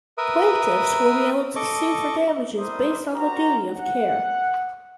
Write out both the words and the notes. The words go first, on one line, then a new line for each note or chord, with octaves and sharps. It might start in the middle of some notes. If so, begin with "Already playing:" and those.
Plaintiffs will be able to sue for damages based on the duty of care.
A#4 B4 E5 D#6
A4 D#5 C#6 D6
G3 E4 A#4 C5 D5 D#6
F#4 G4 A#4 C5 A#5
F#5